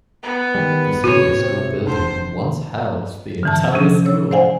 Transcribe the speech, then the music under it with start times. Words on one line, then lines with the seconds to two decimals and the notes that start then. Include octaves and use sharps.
The senior school building once housed the entire school.
0.23 B3
0.55 D#3 G3
1.04 A2 F#4 C#5
1.40 C3
1.86 F1 D4 C5
3.43 D3 E3 A5
3.72 C3 F3 C#4 D4
4.06 C#5 E6
4.31 C5 D5 F5 F#5 G#5